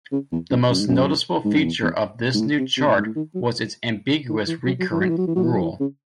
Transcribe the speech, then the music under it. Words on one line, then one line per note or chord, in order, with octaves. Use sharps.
The most noticeable feature of this new chart was its ambiguous recurrent rule.
C#3
E2
F#2
F#2
G#2
F#2
G#2
F#2
E2
E2
G#2
A2
C3
C3
A2
G#2
A2
D#3
F#3
D#3
E3
F#3
F#3
E3
F#3
E3
F#3
E3
F#3
E3
F#3
E3
C#3